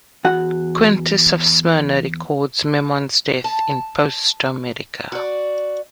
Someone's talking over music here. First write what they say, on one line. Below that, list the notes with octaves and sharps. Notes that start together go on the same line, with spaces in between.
Quintus of Smyrna records Memnon's death in "Posthomerica".
E2 F#4 F#5
A5
F#4 D5